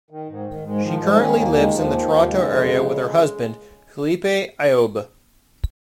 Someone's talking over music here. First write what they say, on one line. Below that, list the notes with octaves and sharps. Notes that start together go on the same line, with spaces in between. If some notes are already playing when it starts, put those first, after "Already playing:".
She currently lives in the Toronto area with her husband, Philippe Ayoub.
D#3
G#2
D#3
G#2 G#3
D#3 F3
G#2 G#3
D#3 C#4
D#2 A#3
D#3 G#3
D#2 F3
D#3
D#2
C#3 G#3
F2
C#3